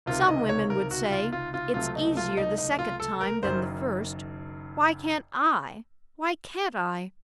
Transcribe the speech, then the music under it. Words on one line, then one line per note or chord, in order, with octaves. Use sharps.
Some women would say, 'It's easier the second time than the first.' Why can't I? why can't I?
C#2 C3 D#3 F4
D#5
C#5
A#4
F#4
F4
F4
F4
C#2 C3 F#3 A3 F4
D#4
F4
D#4
D#4
F4
A4
A#4
F#1 F#2 D#3 C5